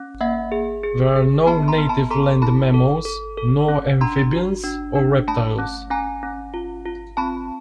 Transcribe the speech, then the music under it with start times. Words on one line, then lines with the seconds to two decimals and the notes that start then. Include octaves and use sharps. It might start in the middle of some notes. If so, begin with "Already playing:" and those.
There are no native land mammals, nor amphibians or reptiles.
Already playing: C#4
0.21 A#3 E5 F#5
0.52 G#4
0.84 G#4
1.16 G#4
1.47 B3 A5 B5
1.68 A#5 C6
1.78 B3
1.89 A5 B5
2.11 A4 A#5 C6
2.42 E4 A5 B5
2.74 A4
3.05 A4
3.38 A4
3.68 C#4
4.01 D4 A#5 C6
4.33 F#4
4.64 D4
4.95 D4
5.28 A3 A5 B5
5.59 C#4
5.90 C#4 G#5 A#5
6.23 C#4
6.54 F4
6.86 F4
7.17 C4 A5 B5